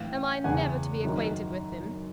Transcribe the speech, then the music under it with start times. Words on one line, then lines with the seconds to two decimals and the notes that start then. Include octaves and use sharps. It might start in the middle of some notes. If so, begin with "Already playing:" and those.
Am I never to be acquainted with him?
Already playing: A2 E3 F5 G5
0.44 E2 C#3 E3 F#5 G#5
1.04 F#2 D#3